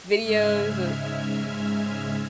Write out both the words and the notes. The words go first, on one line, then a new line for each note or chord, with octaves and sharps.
videos of
G#2 C#3 G#3 E5 F6 G#6